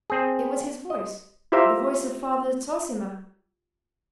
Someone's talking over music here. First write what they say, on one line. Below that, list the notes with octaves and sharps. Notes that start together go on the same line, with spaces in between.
It was his voice, the voice of Father Zossima.
C4 G#4
D#5
E4 F4 G4 C5 E5 A#5